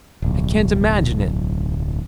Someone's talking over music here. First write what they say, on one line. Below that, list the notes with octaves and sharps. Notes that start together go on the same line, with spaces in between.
I can't imagine it.
D1 B1